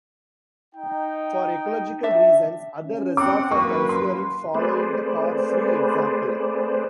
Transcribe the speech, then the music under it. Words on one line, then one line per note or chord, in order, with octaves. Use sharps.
For ecological reasons other resorts are considering following the car-free example.
D#4 G5
D4 E5
C#4
C4 F#5 D6
F#2 A#3 B4 C#6
C6
A3 C4 G#4 B4 C5 D5